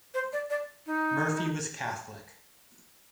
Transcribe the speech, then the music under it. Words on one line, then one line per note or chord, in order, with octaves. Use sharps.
Murphy was Catholic.
C5
D5
D5
D#4